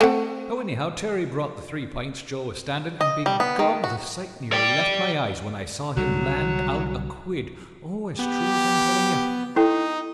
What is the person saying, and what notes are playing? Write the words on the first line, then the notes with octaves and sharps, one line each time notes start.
So anyhow Terry brought the three pints Joe was standing and begob the sight nearly left my eyes when I saw him land out a quid O, as true as I'm telling you.
A3 C4 F#5
D#5
G3
B3
D#3
F#4
D5 G5
C2 D3 F#3 G3
B3 G4
D#4 E4 A4 G5